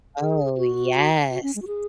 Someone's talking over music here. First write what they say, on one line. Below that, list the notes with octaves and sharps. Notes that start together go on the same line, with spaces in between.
Oh, yes.
G#4
F#4
F#4
C#4
G#3
F#4
G#4